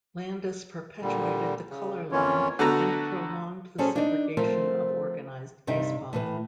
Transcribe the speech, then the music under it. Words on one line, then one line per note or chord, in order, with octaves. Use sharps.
Landis perpetuated the color line and prolonged the segregation of organized baseball.
A#2 D3 G3
C#3
F2 E3 A#3 C#4 F4 C#5
D3 A3 B3 F#4 A#5
F#3 G3 C#4 G#4 A4 C5
D4 D#4
F3 A3 C4 A#4
G2 C3 D#4 E4 G5
A2 E3 B4